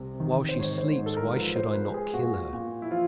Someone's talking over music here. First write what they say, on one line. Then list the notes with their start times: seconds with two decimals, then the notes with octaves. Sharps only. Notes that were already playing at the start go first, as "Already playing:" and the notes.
While she sleeps why should I not kill her?
Already playing: C2 C3
0.20 D#3
0.49 C5
0.59 G#2 C#5
0.78 C5
0.98 G#2
1.06 A4
1.17 A#4
1.36 F3 B4
1.56 C5
1.75 G#3 B4
1.94 G#4
2.13 A#2 F#4
2.53 A#2
2.82 E4
2.91 F3 F4